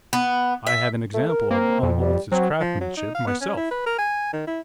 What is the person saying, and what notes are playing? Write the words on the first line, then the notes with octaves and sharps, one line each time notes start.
I have an example of Umholtz's craftsmanship, myself.
B3
E5
A3
A#4
A#3 C4
F2
G3
F#3 C4
F3
F#3
D#4
F5
B3
C#4
E4
B4
A#4
G#5
D#3
E4